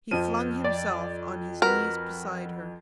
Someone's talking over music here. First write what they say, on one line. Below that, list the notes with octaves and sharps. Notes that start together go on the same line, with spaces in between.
He flung himself on his knees beside her.
F2 F3 D#7
D5
F#4 A#4 B4